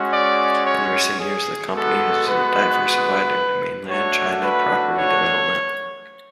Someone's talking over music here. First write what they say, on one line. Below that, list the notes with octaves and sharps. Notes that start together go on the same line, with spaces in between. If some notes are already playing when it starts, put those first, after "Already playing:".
In recent years, the company has diversified into mainland China property development.
Already playing: G#3 C#4 F#4
D5
C#5
G#4
G#3 B3 F#4 A4
B4
A3 D4 F#4 C#5
B4
C#5